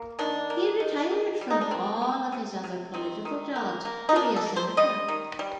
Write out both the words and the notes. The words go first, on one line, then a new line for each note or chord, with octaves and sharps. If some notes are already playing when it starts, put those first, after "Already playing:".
He retired from all of his other political jobs to be a senator.
Already playing: A#3
D#3 D4
A#3
D#3
D#3
G3
D#4
D4
A#3 C4
A#3
C3
C3
D#3 C4
D#3
A#3
A#3
D#4
A#3 D4
A4
A#3
C5
G3 D#5
D#3
G3